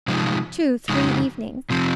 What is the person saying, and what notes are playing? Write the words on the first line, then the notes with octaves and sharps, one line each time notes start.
'Two--three evenings.
C3 F3 G#3 D#4
F2 C#3 G#3 D#4
C3 F3 C4